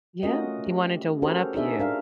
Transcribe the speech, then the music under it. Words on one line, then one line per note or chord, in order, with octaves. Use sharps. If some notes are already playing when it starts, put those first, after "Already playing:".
Yeah. He wanted to one up you.
A3 C#4 F4 F#4 A#4 D#5
G4
C#4 F#4 G4 A4 A#4 C5
D4 D#4 F#4 G#4 D5 E5
D4 A#4 F5